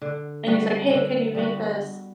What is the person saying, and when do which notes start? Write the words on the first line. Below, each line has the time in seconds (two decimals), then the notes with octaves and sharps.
and he's like, "Hey, can you make this,"
0.02 D3
0.47 G3 B3 F#4
0.91 D3
1.35 G3 B3 F#4